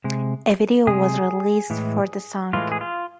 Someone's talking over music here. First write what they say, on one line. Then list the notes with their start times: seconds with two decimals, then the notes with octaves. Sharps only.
A video was released for the song.
0.04 C3 G#3
0.87 C3 G#3 G#4
1.70 A2 E3 G#3
2.53 A2 E3 G#3 F4
2.72 G#4
2.81 F4